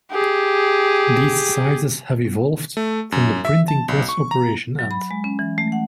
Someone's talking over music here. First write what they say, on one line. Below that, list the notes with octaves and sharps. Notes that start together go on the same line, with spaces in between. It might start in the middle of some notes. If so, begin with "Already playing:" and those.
These sizes have evolved from the printing press operation end.
G4 G#4
A3
F#2
E5
A5
B1
C#6
A#5
F#3
B5
G#3
C#4
E3
A3
F#5